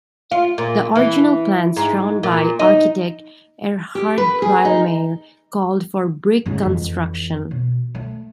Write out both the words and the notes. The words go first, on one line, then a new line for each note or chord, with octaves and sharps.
The original plans drawn by architect Erhard Brielmaier called for brick construction.
F4
A#2
E3
G#2
A#2
D#4
G4
B4
G#4
D#4
G#2 C#3
F2 E3
B2
A3